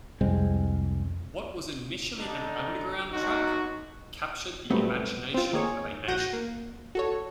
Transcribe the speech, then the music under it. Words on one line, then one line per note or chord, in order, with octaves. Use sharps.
What was initially an underground track captured the imagination of a nation!
C2 F2 G#3 C4
D3 D#4
B1 D#4 F#4
A#2 F#3 G3 A3 B3 C4
C4 F4
D#3 A#3 G#4 C#5
A#1 F#4 F#5 G6 A#6 D#7
A#3
F#4 A4 C#5